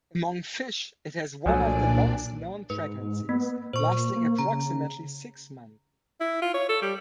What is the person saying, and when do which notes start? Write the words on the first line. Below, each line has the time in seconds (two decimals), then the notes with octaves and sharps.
Among fish it has one of the longest known pregnancies, lasting approximately six months.
1.46 C2 A#2 F3 F#3 A3 D4 D5 G#5
2.70 G#2 B4
3.29 A#3 B3
3.73 A#2 C5 C#6
4.16 A#3
4.39 C#3 A#5
6.21 E4
6.42 F4
6.54 C#5
6.69 A4
6.82 G3